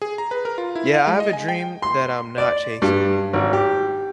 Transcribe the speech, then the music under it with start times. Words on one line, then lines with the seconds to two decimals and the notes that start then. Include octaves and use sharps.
Yeah. I have a dream that I'm not chasing anymore.
0.02 G#4
0.18 A#5
0.31 B4
0.45 A#4
0.58 F4
0.75 E4
0.94 F5
1.07 G#3
1.20 D#5
1.33 G#5
1.48 G5
1.82 C6
2.38 D5
2.82 G2
3.33 G#1
3.53 G4